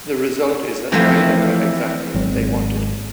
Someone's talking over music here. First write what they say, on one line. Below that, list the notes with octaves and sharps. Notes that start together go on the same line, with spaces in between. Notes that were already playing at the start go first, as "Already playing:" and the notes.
The result is that neither got exactly what they wanted.
E3 F3 A3 A#3 C4
G#1 F#3 G#3 C4